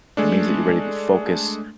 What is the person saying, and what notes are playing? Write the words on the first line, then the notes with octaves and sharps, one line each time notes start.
It means that you're ready to focus
G#3 A3 D4